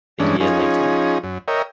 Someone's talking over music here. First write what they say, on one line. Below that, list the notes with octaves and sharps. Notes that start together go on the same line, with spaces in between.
A year later.
G2 E3 G#3 C#4 D4
F3 C#4 D#4 G#4
F#2
A#4 C#5 D#5 E5 G5